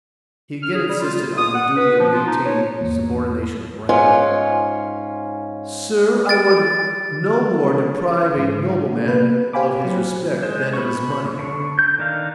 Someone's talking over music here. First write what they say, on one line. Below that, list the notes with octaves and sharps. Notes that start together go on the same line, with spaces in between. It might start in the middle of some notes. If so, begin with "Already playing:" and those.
He again insisted on the duty of maintaining subordination of rank. 'Sir, I would no more deprive a nobleman of his respect, than of his money.
F6
G#4
G3
F4
F4
D#6
F#5
B4
F3
F4
D#4
C#5
E2 G#2 E3 A#3
G#2 C#4 F4
A6 D7
G#2
C3 A#3 B4
G4 C5 F5 G#5 B5 D6
F#3
G#3 C5
B5 C#6
D3 C#6
G6
D#3 D4 D#4 F5